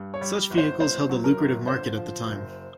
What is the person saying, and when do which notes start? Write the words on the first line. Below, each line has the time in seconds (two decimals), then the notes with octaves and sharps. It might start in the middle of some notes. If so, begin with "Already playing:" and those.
Such vehicles held a lucrative market at the time.
Already playing: G2
0.14 C#5
0.21 G3
0.50 G1
0.58 C5
0.79 G1 C5
1.09 F#3
1.24 A#4
1.39 G1
1.67 D3 C5
1.98 F3
2.27 F#1